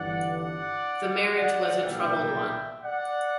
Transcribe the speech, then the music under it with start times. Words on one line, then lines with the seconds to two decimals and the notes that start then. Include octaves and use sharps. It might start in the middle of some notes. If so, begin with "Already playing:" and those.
The marriage was a troubled one.
Already playing: G1 G2 E3 D5 F#5
0.37 D5 F#5
1.35 D5 F#5
1.85 B1 A#2 G3 A#3 E5 G5
2.82 D5 F#5